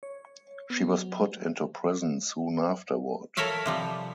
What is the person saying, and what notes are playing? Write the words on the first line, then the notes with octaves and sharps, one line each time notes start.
She was put into prison soon afterward.
C#5
B3
F#3
A4 A#4 C#5 E5 F5
C3 F3 G3